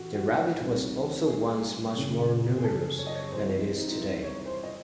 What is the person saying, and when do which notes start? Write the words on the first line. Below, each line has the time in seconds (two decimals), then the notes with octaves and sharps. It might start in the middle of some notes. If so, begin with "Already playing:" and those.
The rabbit was also once much more numerous than it is today.
Already playing: A1 A2 E3 F#4
0.15 F#4
0.38 F#4
0.60 C2 C3 D#3
1.28 G#4
1.96 F#1 F#2 C#3 E3
2.58 G#4
2.64 A4
2.98 C#5
3.07 D#5
3.15 C#5
3.32 C2 C3 E3 C5
3.56 E4
3.77 D#4
3.90 D#4
4.00 E4
4.23 C#5
4.46 C5
4.63 D#5